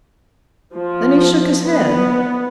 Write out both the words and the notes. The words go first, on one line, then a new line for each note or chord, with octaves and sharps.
Then he shook his head.
F3
B3